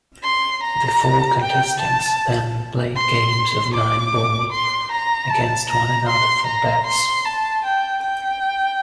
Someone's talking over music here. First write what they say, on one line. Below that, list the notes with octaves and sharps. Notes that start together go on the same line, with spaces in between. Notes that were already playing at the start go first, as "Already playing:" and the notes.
The four contestants then played games of nine ball against one another for bets.
C6
A#5
G5
A5
C6
D6
C6
A#5
A5
A#5
C6
A#5
C6
A5
G5
G5